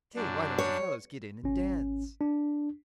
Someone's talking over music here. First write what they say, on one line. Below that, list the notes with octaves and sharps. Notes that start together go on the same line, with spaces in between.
"Say! why don't you fellows get in and dance?"
F#2 D4
C#5
G#1 C#4
D4